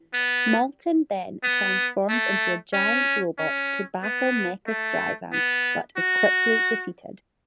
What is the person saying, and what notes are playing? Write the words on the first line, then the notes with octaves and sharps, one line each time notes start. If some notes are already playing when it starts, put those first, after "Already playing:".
Maltin then transforms into a giant robot to battle Mecha-Streisand, but is quickly defeated.
B3
B3
A3
C#4
C#4
B3
A3
B3
F#4